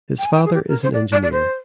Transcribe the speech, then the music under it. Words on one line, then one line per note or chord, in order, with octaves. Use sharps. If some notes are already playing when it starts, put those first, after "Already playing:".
His father is an engineer.
G5
G#5
G5
G#4
G4
A#4
C5
D5
D5
D5
C5